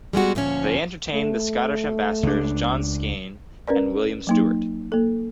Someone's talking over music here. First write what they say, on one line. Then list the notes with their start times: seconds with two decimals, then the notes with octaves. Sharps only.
They entertained the Scottish ambassadors John Skene and William Stewart.
0.13 G3 G#3 B3 F#4
0.35 D2 A#2 F3 C#4 C#5
1.14 A3
2.23 C#2 D4
3.67 C#4 A#4 B4 D5
4.27 F#3 A#3 D#4
4.92 A#3 A4